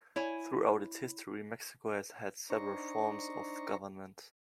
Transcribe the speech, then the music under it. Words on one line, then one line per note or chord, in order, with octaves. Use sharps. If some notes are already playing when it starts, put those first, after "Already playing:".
Throughout its history, Mexico has had several forms of government.
E4 C#5 G#5
D4 D#4 C5 A#5 C#6